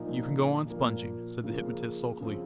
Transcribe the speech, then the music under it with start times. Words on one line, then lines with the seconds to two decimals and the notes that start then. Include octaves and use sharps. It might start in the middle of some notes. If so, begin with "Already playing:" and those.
"You can go on sponging," said the hypnotist sulkily.
Already playing: A#2 F3 A#3 D#4
0.66 A#2 F3 A#3
1.44 C#3 F3 A#3
2.20 C#3 F3 C4